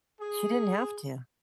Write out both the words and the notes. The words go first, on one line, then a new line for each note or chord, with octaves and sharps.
she didn't have to.
G#4